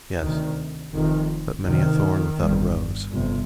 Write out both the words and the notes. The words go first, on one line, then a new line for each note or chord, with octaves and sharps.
Yes, but many a thorn without a rose.
D2 C3 D#3
F1 F2 C3 D#3
D2 C3 D#3
G1 G2
G1 F2 C3